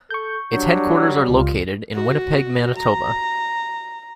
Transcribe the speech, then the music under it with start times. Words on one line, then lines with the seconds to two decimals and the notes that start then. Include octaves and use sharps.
Its headquarters are located in Winnipeg Manitoba.
0.10 A4 C#6 G6
0.52 F#3 G3 D4
1.29 C#2 F4
1.93 F#4
2.77 A#5